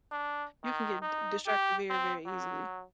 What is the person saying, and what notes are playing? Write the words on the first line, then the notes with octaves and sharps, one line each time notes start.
you can get d distracted very, very easily.
D4
D#3
D#4
G4
C4
F#3